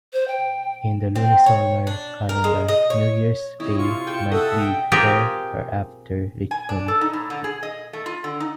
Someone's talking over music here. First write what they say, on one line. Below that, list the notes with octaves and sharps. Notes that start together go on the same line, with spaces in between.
In the lunisolar calendar, New Year's Day might be before or after Lichun.
C5
G5
C4
C#5
D4
A#4
G#3
D#5
C#5
C3 E4 C#5 D#5
F4 C#6
G#4 G5 A5
A4 D#5 E5 F#5 D#6
G5
C4 F4 G4 G#4 A#4
G#5
D4
A4
D#4
A2
D3
G#4
D#5
A3
F4
D3
D#4